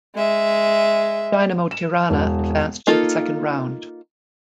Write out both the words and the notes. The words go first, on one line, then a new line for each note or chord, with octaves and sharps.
Dinamo Tirana advanced to the second round.
G#3 E5
E7
E1
A#3 D#4 F4 A4